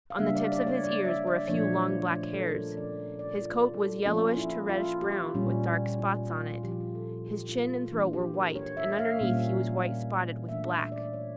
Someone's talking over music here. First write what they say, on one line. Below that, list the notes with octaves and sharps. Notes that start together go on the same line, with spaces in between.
On the tips of his ears were a few long black hairs. His coat was yellowish to reddish-brown, with dark spots on it. His chin and throat were white, and underneath he was white spotted with black.
F5
C#3 G3 A#3 D4 E5
D5
D5
C#5
D5
E5
D5
A#2 F3 A3 D4 C#5
F4
A4
A#4
F3 C#4 D5
D5
F4
A4
F3 A#3 C#4 F4
E4
F4
G4
A#2 G3 C#4
E4
F4
D3 F3 C#4 G4
F4
G4
A4
G4
F4
F4
E3 A#3 D4
G4
A#4
C#5
E5
F5
A#2 G3 A#3 C#4
E3 A3 D4 E5
E5
D5
C#5